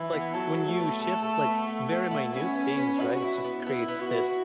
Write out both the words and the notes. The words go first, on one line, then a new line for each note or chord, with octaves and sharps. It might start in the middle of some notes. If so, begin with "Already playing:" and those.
like, when you shift, like, very minute things, right, it just creates this,
Already playing: E3
B3
F#3 A4
A4
A3
B3
A4
A4
B3
B3
B3
E4
B3 C#4
B3
B3
F#4 B4
E4
B3
B3 E4
B3
F#4
E4